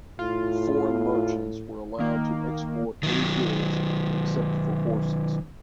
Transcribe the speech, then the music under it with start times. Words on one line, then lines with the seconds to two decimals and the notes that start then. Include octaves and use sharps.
Foreign merchants were allowed to export any goods except for horses.
0.19 A2 F4
1.98 D#3 A#3
3.03 D#3 F#3